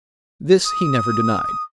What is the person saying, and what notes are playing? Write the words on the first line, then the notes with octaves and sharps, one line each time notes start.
This he never denied.
D#6